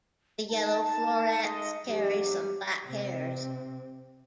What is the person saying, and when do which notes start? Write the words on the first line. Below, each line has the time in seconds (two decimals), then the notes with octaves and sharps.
The yellow florets carry some black hairs.
0.50 D#4 A5
1.44 G#3 D#5
1.86 E2 G2 F#3 G4
2.87 C3 C4